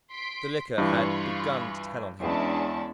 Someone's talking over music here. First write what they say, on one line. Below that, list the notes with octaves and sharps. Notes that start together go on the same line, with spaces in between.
The liquor had begun to tell on him.
C6 B6 D7
G2 E3 F4 B5 C#6
E2 G#3 C#4 D4 E5 A5